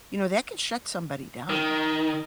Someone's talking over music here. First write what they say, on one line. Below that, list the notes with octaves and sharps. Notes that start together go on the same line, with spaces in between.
You know, that can shut somebody down.
D#3